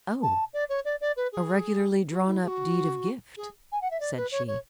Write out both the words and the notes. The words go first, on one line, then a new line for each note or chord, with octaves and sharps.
"Oh! a regularly drawn up deed of gift," said she.
A5
D5
C#5
D5
D5
B4
G#4
F#4
E4
G#4
F#4
G#4
G#5
F#5
E5
D5
B4
C#5
C#5